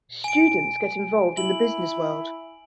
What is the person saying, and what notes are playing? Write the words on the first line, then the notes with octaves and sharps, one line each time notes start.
Students get involved in the business world.
G#5 D7
E4 F#7